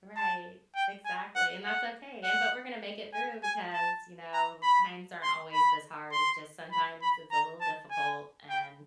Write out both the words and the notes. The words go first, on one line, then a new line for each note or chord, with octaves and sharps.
Right. Exactly, and that's okay, and but we're gonna make it through because, you know, times aren't always this hard, it's just sometimes it's a little difficult, and,
A5
G5
G#5
F#5
F#5
F#5
G#5
G#5
A5
A#5
B5
C6
B5
C6
B5
B5
A#5
A5
G#5
G5